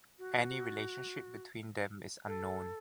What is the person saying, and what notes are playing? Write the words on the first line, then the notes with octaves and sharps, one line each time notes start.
Any relationship between them is unknown.
F#4
A4